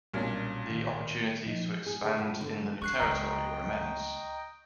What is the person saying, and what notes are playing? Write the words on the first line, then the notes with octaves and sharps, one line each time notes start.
The opportunities to expand in the new territory were immense.
B1 A#2 G3 C#4 D4
A2 D#3
A#2 F3 D#4
G#4
D3
A#2
D3
D4 C#6 F#6 C7
C#2 D#4 D#5 G5 A#5